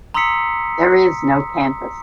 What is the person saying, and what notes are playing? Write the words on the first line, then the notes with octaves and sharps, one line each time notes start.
There is no canthus.
A#5 C6 D#6 E6 B6 C#7